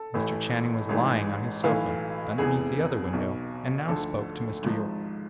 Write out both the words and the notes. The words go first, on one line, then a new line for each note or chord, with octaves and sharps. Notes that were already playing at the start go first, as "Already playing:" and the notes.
Mr. Channing was lying on his sofa underneath the other window, and now spoke to Mr. Yorke.
Already playing: A4
A1 A2 E3
A1 G#2 E3
B1 A2 E3 F5
F1 E2 C3 E3 G#4
B1 B2
D2 D3 F3 A4
G#1 G#2 F3